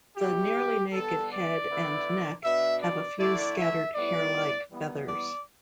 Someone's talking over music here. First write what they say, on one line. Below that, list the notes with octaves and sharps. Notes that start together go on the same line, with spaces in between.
The nearly naked head and neck have a few scattered hair-like feathers.
B2 G3 E4 G4
D3 G3 B3 A4
D5
D3 B3 E4
B2 B3 D4 E5
D5
D3 A3 E4 D5
E5
A2 G3 B3 E4 D5
E3 G3 B3 E4
D5